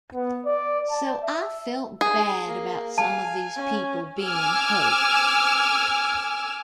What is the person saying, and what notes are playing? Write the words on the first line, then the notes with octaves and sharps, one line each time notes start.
So I felt bad about some of these people being hoaxed.
B3
D5
A5
E5
G#4
A#3
F5 G#5 A5
C#4
G#5 D6 E6 F6